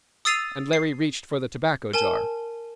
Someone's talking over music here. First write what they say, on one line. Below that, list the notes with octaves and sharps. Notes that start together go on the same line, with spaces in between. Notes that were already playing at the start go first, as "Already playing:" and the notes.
And Larry reached for the tobacco jar.
D#6 E6 A6 C7 D#7 F7
C7
A#4 G#5 A5